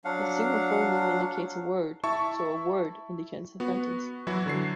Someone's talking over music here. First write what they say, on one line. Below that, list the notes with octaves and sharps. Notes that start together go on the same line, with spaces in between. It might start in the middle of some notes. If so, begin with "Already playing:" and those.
A single phoneme indicates a word, so a "word" indicates a sentence.
F#3 D4 F5 F#5
E4 E5 A5 C#6
B3 F#4
E3 F#3 E4 F#4
D3 F#3 C7